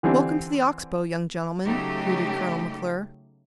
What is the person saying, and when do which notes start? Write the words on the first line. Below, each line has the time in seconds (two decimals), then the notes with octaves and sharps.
"Welcome to the Ox Bow, young gentlemen," greeted Colonel McClure.
0.03 D3 E3 G3 C4 D4
1.65 C#3 F#3 A3 D#4 G4